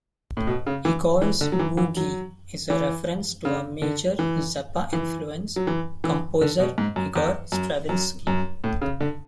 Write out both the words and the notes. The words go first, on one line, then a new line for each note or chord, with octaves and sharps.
"Igor's Boogie" is a reference to a major Zappa influence, composer Igor Stravinsky.
A2
B2
C#3
E3
E3
D3
F#3
E3
E3
F#3
E3
C#3
D3
E3
E3
F#3
E3
E3
D3
B2
G#2
F#2
E2
F#2
F#2
F#2
A2
C#3
D3